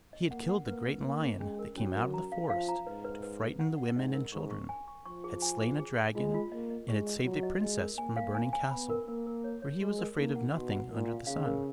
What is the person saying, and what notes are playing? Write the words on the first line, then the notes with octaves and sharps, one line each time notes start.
He had killed the great lion that came out of the forest to frighten the women and children, had slain a dragon, and had saved a princess from a burning castle; for he was afraid of nothing under the sun.
D#5
A#3 F#5
F#5
A#3 B4
B4
A#3 C#4
G#4
G#3 C#4
A#4
F#3 C#4
A#4
A#5
F5
F3 F5
A#5
G#2 B4
B4
B4
B4
F#5
F#5
G#2 D#5
A#4
G#2 C#6
C#6
G#5
C#6
F3 C#6
G#4
G#5
G#4
G#4
G#4
G#3 F4
F4
A#3 D#5
D#5
G#3 C#6
D#5
F#3 F4
D#5
G#3 D#5
A#4
A#3 G#5
F5
G#5
G#5
B3 B5
A#4
A#3 A#4
A#4
C#5
C#5
G#3 F#4
A#4
A#3 D#4
F#5
B2 F#4
F#5
A#2 A#4
F5
C#3 F5
A#4